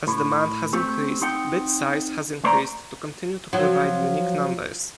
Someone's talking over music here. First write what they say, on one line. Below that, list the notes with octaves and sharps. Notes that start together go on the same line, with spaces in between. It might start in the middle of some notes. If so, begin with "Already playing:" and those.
As demand has increased, bit size has increased to continue to provide unique numbers.
A2
A3 C4 G4
C4 D#4 F#5 G5
C#2 A3 C5 D5 D#5 A#5
F3 F#3